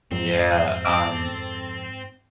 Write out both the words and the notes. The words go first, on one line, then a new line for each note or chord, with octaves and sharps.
Yeah, um
F2 G#2 F3 C4
A4 D6